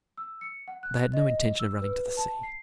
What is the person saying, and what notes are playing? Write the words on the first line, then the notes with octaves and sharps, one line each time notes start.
But they had no intention of running to the sea.
E6
C#7
F#5
F#6
D#5
E6
B4
A5
C7